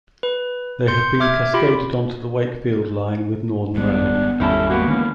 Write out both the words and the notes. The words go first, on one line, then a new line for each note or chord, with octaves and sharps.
They have been cascaded onto the Wakefield Line with Northern Rail.
B4
C6 G6 C#7
E5 D6 F6 G#6
F4 G4 B5 D7
G#1 G#2 G3 B3 D4
D4
G#1 E2 D#3 G3 C#4 E4 A4
C#2 G#3 A#3 B3 F#4
D3 E3 C#4